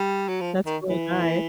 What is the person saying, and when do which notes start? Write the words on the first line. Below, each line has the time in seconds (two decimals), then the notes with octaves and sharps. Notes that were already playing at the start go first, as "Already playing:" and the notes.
That's really nice.
Already playing: G3
0.29 F#3
0.41 F3
0.66 D#3
0.89 E3